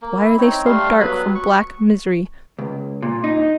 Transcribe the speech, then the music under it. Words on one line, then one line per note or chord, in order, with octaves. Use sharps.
Why are they so dark from black misery?
A#3
E4
C4 D#4 C#5
G3 A3 F5 C6
F#3 B3 B4 B5
C#6
C#2
A#2
D#4